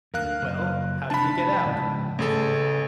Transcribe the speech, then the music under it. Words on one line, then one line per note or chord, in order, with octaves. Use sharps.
"Well, how did he get out?"
D2 A#4 F5 F#6
F#1
F1 E3 D4 A5 B5
G#2 C#3 F3
A1 C#3 A3 G#4 A4